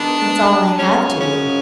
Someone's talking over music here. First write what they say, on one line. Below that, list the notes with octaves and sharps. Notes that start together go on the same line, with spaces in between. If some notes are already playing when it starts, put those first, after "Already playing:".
That's all I have to do.'
Already playing: G#2 D#3 G3 B3 D4
F#2 C#3 F3 G#3 C#4
C#4